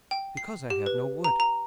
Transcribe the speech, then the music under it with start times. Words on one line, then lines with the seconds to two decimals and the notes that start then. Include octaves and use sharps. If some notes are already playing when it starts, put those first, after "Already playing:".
"Because I have no wood."
0.11 G5
0.37 C7
0.70 G4
0.86 B4
1.24 A#5
1.40 A#5